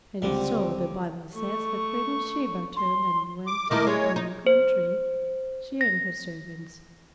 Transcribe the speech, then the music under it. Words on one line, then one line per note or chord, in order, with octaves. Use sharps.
And so, the Bible says, the Queen of Sheba turned and went to her own country, she and her servants.
C#2 D3 G3 C4
A3 C#6
C6
D6
D#3 A3 E4 A#4 D#5 D6
G#3 C#5
D#4
C5
A#6